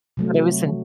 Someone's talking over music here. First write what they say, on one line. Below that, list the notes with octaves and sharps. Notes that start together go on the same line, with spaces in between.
But it was in
C3 F#3 A3